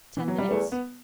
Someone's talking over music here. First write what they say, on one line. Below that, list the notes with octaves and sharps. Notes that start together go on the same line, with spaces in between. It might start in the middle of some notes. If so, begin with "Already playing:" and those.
Ten minutes?
E3
F#3
G3
E2 A3
B3